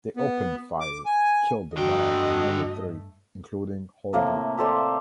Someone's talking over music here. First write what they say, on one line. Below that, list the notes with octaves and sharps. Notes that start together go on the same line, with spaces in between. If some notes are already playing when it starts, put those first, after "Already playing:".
They opened fire, killed a man and wounded three, including Holbrook.
B3
D6
G#5
G2 D3 A3 F#4 D#5 G5
A2 C3 A#3 A4
G4 A4 C5 D5